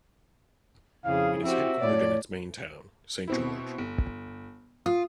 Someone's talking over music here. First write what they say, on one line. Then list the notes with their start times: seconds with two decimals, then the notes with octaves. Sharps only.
It is headquartered in its main town, Saint George.
1.04 F2 C#3 E4 G#4 F5
1.44 C4 F#4 G4 E5
1.79 A2 C#5 D5
3.28 B2 C4 E4
3.78 G1
4.86 F4 D#6